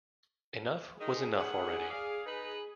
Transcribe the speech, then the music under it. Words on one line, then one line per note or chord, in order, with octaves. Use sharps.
Enough was enough already.
D#3 G#3 D#4 G#4
D#2 D4 F#5
D5 F5
D#4 B4